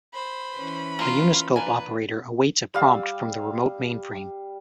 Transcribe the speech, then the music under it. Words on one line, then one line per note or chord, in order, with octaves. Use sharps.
A Uniscope operator awaits a prompt from the remote mainframe.
C5 B5
E3 C#4 B4
A#3 F4
A#3 D4 B4 G#5
G3 F5 E6